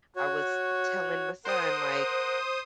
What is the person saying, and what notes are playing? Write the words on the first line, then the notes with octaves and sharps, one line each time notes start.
I was telling my son, like
F#4 C#5
A#4 C5 F#5 D#6